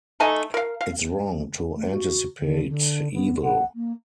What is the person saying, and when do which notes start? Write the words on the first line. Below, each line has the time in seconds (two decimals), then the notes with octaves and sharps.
It’s wrong to anticipate evil.
0.20 A3 D#4 A4 G#5
0.54 A#4 F5
0.81 F5
1.76 A3
1.91 F#4
2.40 D3
2.69 D3
3.13 B3
3.43 F#5
3.75 A#3